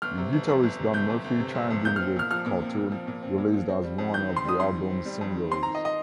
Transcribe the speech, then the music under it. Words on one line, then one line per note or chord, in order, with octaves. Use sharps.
Guitarist Dan Murphy chimed in with "Cartoon," released as one of the album's singles.
G1 F6
C3
G1
F2
G1
C3
G1 G6
F2
G1
C3
G1
F2
A#2 G6
C4 F6
A#2 F6
F3 F6
A#2
C4
A#2
F3
A#2
C4
A#2
F3
C4
G3
F2
D#3 G6
C4
C6
G3 D#6
F2 C6
D#3
C4
G3
F2
D#3
C4 C6
D#3 A#5
D#5
D#5